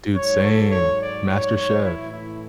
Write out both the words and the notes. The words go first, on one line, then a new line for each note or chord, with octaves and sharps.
Dude, same. MasterChef.
G#2 F#3 C#5
A4
C#5
D5
C#5
C#5
A2 E3 E4
E4